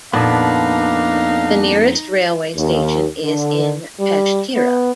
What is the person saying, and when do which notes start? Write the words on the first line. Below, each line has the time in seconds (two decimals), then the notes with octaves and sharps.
The nearest railway station is in Peshtera.
0.13 F2 A#2 B3 D4 D#4 F5
2.56 D#2
3.22 D3
4.00 G3
4.55 B3